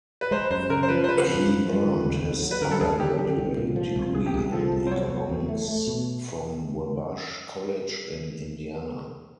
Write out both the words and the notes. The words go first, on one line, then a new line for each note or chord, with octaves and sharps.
He earned his undergraduate degree in Economics, from Wabash College in Indiana.
B4
G#3 C5
F#2 C5
C#3 A#4
C5
F3 B4
C5
C#3 B4
F3
F#2
F3
D3
D#2
D#2
F#3
B4
D3 A#4
A4
D#2 G#4
D3 G4
D3 G4
C2
A#2
F3
C2
C2 G#4
G4
C2 G#4
F3 A4
C2
C5
F#3 C#5
F#3
E2
A3
A3
B2